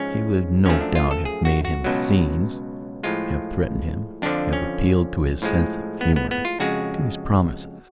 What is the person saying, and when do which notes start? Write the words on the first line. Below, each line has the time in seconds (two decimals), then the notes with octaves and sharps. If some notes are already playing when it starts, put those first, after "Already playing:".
She would no doubt have made him scenes, have threatened him, have appealed to his sense of humour, to his promises.
Already playing: G#2 F3 G#3 C#4
0.66 F#2 F3 A3 C#4
0.81 D4
0.95 F4
1.11 A4
1.25 G#4
1.45 F#4
1.65 F#4
1.84 C#2 B2 F#3
3.03 A2 F3 G#3 F4
4.22 F2 D3 F3 D4
4.53 C#4
5.42 A2 F3 G#3
6.01 B3
6.16 B3
6.31 B3
6.45 F4
6.60 F2 C#3 G#3 F#4